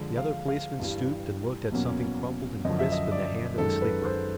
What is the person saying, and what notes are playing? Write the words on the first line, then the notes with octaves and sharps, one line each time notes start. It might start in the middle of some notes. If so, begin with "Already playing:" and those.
The other policeman stooped and looked at something crumpled and crisp in the hand of the sleeper.
Already playing: D3 F3 G#3
F5
F5
G2 E3 G3
E2 B2 F#3 A#3 C#4
F#2 D3 F3 D#5
E5
D#5
D5
F#2 D#3 G#3 A4
B4
C5